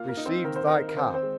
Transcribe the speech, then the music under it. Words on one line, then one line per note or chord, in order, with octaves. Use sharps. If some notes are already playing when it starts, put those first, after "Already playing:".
"Received thy cart."
Already playing: A#3 F4 F5
A#4
D#4
C4 C5
D#3 A#4
C5
D#4 A#4
A#4
D#3 C4 C5
C4 C5
G#3